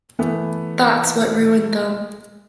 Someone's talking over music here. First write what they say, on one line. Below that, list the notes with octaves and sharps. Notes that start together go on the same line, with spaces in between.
That's what ruined them.
E3 A3 B3